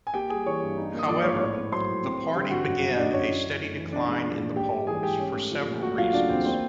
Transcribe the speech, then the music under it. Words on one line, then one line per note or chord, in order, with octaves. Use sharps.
However, the party began a steady decline in the polls for several reasons.
G#5
A#3 G4 G5
G3 G#4 G#5
E3 C#5 C#6
G2
D#4
A#3
D#6
F3 D5 D6
G#2 C#5 C#6
A2 C#5 C#6
B3
F#3 C5 C6
A2
C4
G3
D3 G4 G5
G2 F#4 F#5
F#2
G3
D#5
D#3 D4 D5
F#2 C#4 C#5
E4
C#4
A3
E3
C#4 D4 D5
G#3
F3
A#2
G#2 G4 G5
G3
E3 G#4 G#5
G#2 G4 G5
C#4
A3
F3
A#2
A3 F#4 F#5
F#3 F4 F5
C#3 D4 D5
E2 C4 C5
A#3 C4 C5